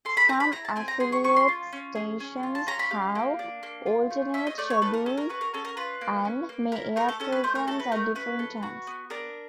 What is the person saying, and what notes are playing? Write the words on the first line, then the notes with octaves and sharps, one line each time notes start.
Some affiliate stations have alternate schedules and may air programs at different times.
A4 C6
B5
C4 A#5
B5
E4 A#5
A5
C4 G#5
A#5
G#4 C6
C#6
C#4 C#6
C6
F4
C#4
G#4
C#4
F4
A5
C#4 A#5
B5
G4 F5
A#3
D4
A#3
F4
A3
C#4 E5
D#5
A3 D5
C#5
A4 B4
A#4
C#4 A4
A#4
F#4 B4
A#4
C#4 A4
A#4
F4 B4
A#3
C#4
A#3
E4 A#4
A3 A#4
A4
C#4 A4
B4
A3 C5
A#4
F#4 A4
B4
A3 A#4
C#4 B4
A4
F#4
B3
D4 A#4